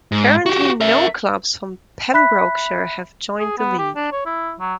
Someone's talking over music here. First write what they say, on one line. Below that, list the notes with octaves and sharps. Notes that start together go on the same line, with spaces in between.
Currently no clubs from Pembrokeshire have joined the league.
G#2
F#4 G4
A#4 E5
E5 B5 F#6 B6
G#4
B3
G4
D4
C#5
E4
F#3